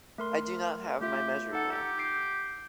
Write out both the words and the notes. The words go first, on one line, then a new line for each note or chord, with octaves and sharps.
I do not have my measure now.
A3 A#4 C6
A3 F4 G4 E5
D#4 A4 F#5
G4
G6 C7 D7